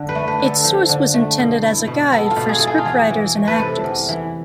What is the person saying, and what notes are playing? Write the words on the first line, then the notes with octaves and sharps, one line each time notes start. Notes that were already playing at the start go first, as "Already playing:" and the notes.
Its source was intended as a guide for scriptwriters and actors.
Already playing: D3
B4
A3
B4
D3
A4
F3
D3
A3
B2
E4
B2
B3 A4
F4
B2
G#4
E4 A4
G#4
F4
E2 G#4
E3
A3
B4
C3 A4
E2
E3